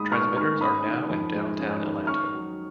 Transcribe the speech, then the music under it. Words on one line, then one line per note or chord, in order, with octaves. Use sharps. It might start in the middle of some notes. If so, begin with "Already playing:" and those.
Transmitters are now in downtown Atlanta.
Already playing: G#2 D#3 G#3 B5 D#6
B3 C#6 F6
D#3 C#6 F6
C#4 B5 D#6
D#3
F2
G#3
C#4
D#3
C#4 C#6 F6
F#3